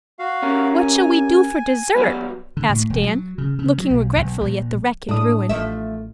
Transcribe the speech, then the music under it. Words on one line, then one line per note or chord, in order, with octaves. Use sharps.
"What shall we do for dessert?" asked Anne, looking regretfully at the wreck and ruin.
F#4 F5
C#4 G4 A#4
G#5
F#3 G3 B3
D3
A2
E1
F#3
C#3
C#3
F#3
B1
B1
A#1
A2 D4 D#6
A1 F3 A3 E5